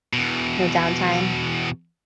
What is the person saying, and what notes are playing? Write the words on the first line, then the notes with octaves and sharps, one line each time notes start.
No downtime?
E2 B2